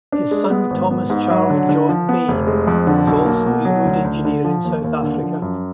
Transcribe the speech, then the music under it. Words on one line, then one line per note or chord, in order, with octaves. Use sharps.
His son Thomas Charles John Bain was also a road engineer in South Africa.
D4
G#3
B3
G#1
B3
G#2
F#3
D3
D3
F3
B3
F1
G#3
F2
D3
B1
A#3
B2
F#3
D2
D2
D3
F3
D#2
D#2
D3
F3
F#2